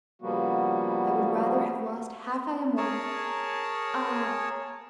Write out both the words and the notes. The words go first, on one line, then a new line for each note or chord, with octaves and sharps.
I would rather have lost half I am worth; ah!
C#3 F3 G3 A#3 B3 F#4
G#4 A#4 C#5 A5